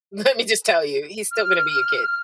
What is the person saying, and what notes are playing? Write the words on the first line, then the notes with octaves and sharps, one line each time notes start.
Let me just tell you, he's still gonna be your kid.
F6